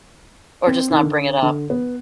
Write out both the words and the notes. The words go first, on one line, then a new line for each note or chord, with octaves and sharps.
Or, just not bring it up.
C4
D#3
D3
D3
B3